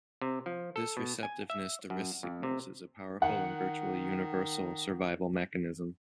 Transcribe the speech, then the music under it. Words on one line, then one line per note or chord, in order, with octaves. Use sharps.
This receptiveness to risk signals is a powerful and virtually universal survival mechanism.
C3
F3
A4
B2
G#5
E5
F#2
F2
C3
D#3 F#5